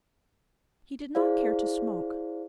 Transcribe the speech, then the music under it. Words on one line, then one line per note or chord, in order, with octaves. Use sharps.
He did not care to smoke.
E4 G#4 C5 D5 F5